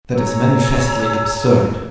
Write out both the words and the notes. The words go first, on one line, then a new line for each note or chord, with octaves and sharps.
That is manifestly absurd.
G#4 C#5 A#5 E6